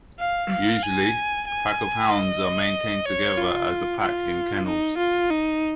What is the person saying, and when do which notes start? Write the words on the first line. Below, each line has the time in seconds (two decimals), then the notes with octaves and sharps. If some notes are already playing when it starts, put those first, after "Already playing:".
Usually, a pack of hounds are maintained together as a pack in kennels.
0.19 F5
0.51 F5
0.83 G#5
1.47 G#5
2.10 D#5
3.06 C#5
3.38 F4
4.02 F4
4.66 D#4
4.98 F4
5.30 D#4